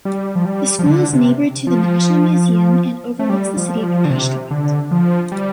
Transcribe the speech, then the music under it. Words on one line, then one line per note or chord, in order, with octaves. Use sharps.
The school is neighbor to the National Museum and overlooks the city of Ashgabat.
G3
F3
G3
F3
D3
C3
F3
A3
G3
F3
G3
F3
D3
C3
D3
F3
G3